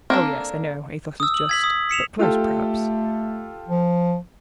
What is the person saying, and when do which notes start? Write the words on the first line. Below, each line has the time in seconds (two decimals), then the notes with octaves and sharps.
"Oh, yes, I know Athos is just; but close, perhaps?"
0.10 A#3 C4 D4 A4
1.20 D#6 E6
1.34 F#7
1.49 G#6 B6 F#7
1.64 D#6
1.89 B6 C#7 E7 F7
2.19 A3 F4 G4 A4
3.68 F3